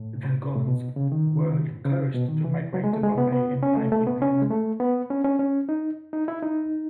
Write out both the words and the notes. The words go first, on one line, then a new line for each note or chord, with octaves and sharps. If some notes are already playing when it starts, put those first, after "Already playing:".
The Goans were encouraged to migrate to Bombay and find employment.
Already playing: A2
A2
B2
C#3
D#3
C#3
B2
D#3
E3
F#3
G#3
A3
G#3
B3
B3
C#4
A3
A3
B3
C#4
G#3
A3
B3
C#4
C#4
C#4
D#4
D#4
E4
D#4